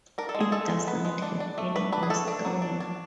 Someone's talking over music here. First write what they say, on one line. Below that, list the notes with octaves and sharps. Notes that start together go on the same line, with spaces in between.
It does not have any installer.
D4 A#4
A4
G#3
G#4
G#3 A4
G#3
B3 B4
G#3
D4
D4
A3
D4 B4
D4 B4
G#4
A3 A4
D4
F#3
D4
D4